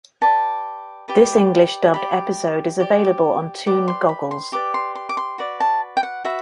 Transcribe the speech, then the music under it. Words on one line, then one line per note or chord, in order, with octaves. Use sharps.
This English dubbed episode is available on Toon Goggles.
G4 B4 D5 A5
G4 B4 D5
G4 D5 B5
G4 D5
G4 B4 D5 D6
C6
B5
C6
G4 B4 D5 D6
C6
C6
D6
C6
F#4 B4 D5
A5
G5
F#5
F#4 B4 E5